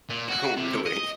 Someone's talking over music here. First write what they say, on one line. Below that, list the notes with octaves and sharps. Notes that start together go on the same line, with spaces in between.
Oh, really?
A#2
F#4
C3
D#5